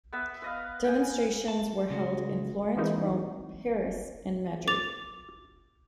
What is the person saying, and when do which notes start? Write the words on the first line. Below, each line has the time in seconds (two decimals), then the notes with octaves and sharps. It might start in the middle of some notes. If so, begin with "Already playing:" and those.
Demonstrations were held in Florence, Rome, Paris and Madrid.
0.13 B3 B4 E5
0.42 B4 D#5 F5
0.84 G5 G#5
1.48 A5
1.90 C#3 G#3 F#4
2.77 E3 G#3 A#3 C4 D#4 E4
4.68 D6 A6 F7